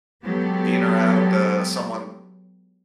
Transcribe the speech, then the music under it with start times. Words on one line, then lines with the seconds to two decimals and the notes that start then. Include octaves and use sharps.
being around, uh, someone
0.25 F#3 G#3 B3 G4 A4